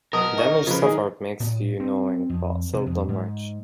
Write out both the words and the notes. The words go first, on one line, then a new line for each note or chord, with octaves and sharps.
Damage suffered makes you knowing, but seldom rich.
B2 F#3 A#4 D#6
D#4 C#6
C#3 F3 B4
D#3 G#3 G#4
A2
C4
F2
C3
F2
G#2